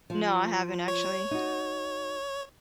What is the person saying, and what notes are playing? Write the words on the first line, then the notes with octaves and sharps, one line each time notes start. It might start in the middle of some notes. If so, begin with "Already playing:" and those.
No, I haven't, actually.
F3
C#5
D#4 F#4